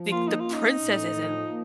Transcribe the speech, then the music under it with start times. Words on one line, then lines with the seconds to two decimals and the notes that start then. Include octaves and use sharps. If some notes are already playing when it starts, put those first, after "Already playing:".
the the princess is in
Already playing: F3
0.11 A#3 F4
0.28 D#4
0.40 F4
0.46 C#4
0.53 D#4
0.80 A2
1.15 F3
1.49 A#3